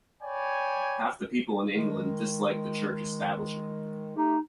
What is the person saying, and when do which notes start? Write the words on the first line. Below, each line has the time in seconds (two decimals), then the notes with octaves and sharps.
Half the people in England dislike the church establishment.
0.23 C#5 D5 G5 G#5 B5
1.75 D#3 G#3
4.16 A3 D#4 G4